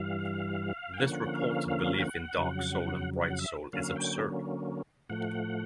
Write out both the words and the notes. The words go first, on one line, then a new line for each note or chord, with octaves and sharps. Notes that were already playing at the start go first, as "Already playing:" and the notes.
This reported belief in dark soul and bright soul is absurd.
Already playing: G2 E3 G3 F5
G5
D3 F3 A#3 C#4 F#5
F5
F5
G5
F#5
F2 C#3 F#3
F#5
E5
D3 F#3 A#3 C#4 F5
G5
A2 F3 A3 F#5